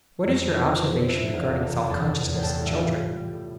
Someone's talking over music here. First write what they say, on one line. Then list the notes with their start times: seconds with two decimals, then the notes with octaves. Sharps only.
What is your observation regarding self-consciousness in children?
0.25 F2 C4 C5
0.45 D3
0.55 A#4
0.64 F3
0.81 D3 C4 C5
1.00 D3
1.08 E4 E5
1.18 D3
1.34 E2 F4 F5
1.53 C3
1.62 A4 A5
1.72 E2
1.89 E2 A4 A5
2.08 E2
2.25 E2
2.39 A2 A4 G5 A5
2.61 G3
2.66 F4 E5 F5
2.79 A2
2.97 G3
3.16 G3
3.33 A2